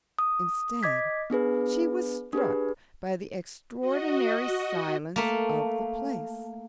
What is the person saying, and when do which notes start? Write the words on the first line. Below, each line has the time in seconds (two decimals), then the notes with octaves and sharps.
Instead she was struck by the extraordinary silence of the place.
0.19 D#6
0.83 D#5 D6 G#6 B6
1.30 B3 D4 G#4 B4
2.33 D4 G4 G#4 B4
3.80 F#4 D#5
5.16 A3 A#3